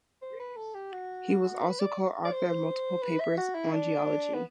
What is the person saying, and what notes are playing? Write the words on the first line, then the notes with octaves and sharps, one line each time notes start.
He was also co-author of multiple papers on Geology.
C5
B4
A4
G4
F#4
B4
D5
D5
C5
B4
E5
F#4
E4
D4
B3